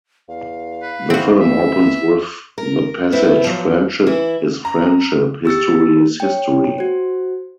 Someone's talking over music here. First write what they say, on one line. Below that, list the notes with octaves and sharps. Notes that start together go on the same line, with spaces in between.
The film opens with the passage Friendship is friendship; history is history.
E2 F5
B4
C4 E4 F#4
E3 E5
A#4
B3 C4 E4
F3 F#3
E3 E4
A#5
G4 E6 A6 C#7
C#5 G5
F#4 C5